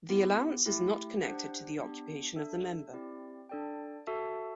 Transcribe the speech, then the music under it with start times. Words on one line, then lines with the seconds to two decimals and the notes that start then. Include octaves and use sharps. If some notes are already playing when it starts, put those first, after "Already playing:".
The allowance is not connected to the occupation of the member.
0.09 B3 E4 G4
0.66 A3 E4 G4
1.23 D4 G4 C5 F#5
1.79 B3 D4 G4
2.36 D4 A4 E5
2.93 C4 E4 G4 D5
3.49 D4 A4 D5 G5
4.07 F#4 A4 E5 A5